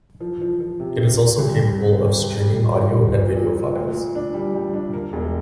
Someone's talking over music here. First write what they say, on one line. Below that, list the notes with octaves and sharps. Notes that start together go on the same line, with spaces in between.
It is also capable of streaming audio and video files.
F3
F3
F3
C3
C3
C3
C2
G3
C3
A#3
C3
G3
A#2
G3
A#2
A#2
A#2
A#2
D2
D2
D4
G3
G3
D4
A#3
E1